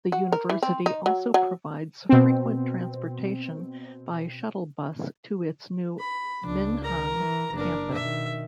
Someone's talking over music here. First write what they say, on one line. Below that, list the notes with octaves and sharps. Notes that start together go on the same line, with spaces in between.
The University also provides frequent transportation by shuttle bus to its new Minhang Campus.
F#4
A#4
E3
C4
D#4
F#3
F#3
B2 C4
B5
C#2 D4
A#4 A#5
E3
F#1 D4 A#4
B2 D#3 E5